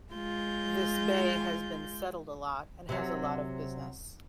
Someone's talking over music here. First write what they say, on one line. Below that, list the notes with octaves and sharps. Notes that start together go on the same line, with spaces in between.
This bay has been settled a lot and has a lot of business.
G#3 F4 G6
C3 F#3